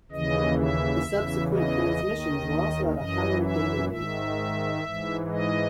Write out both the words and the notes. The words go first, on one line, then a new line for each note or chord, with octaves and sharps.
The subsequent transmissions were also at a higher data rate.
D#2 C#3 E3 D#5
E5
E2 C#3 E3
D#5
D#2 D#3
F#2 E3 D#5
E5
G#2 D#3 E5
G#2 E3
D#5